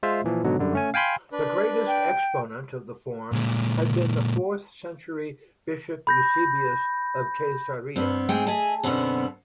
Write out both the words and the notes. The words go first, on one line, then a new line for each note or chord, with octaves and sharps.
The greatest exponent of the form had been the fourth-century bishop Eusebius of Caesarea.
G#3 F4 C5 E5
A#2 E3 F3
G#2 B2 D3 F#3
F#2 D3 G3
A3 C#4 G#5
F5 G5 G#5 B5 C6
D4 B4
G5
A#2 G#3
B5 G6 A#6
G2 B3 C4
G#2 G#3 A3 C4 G5 G#5
G#4 D#5 E5 G#5 A5
F#2 B2 D3 B3 C4 F#4